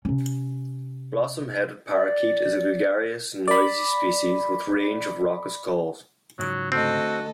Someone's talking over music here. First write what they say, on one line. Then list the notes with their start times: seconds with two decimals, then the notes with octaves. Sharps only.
Blossom-headed parakeet is a gregarious and noisy species with range of raucous calls.
0.05 C3 C#4
1.92 D5
3.48 D5 B5
6.39 G#2 C#3 F#3
6.72 D2 C4 F#4 A4 D#5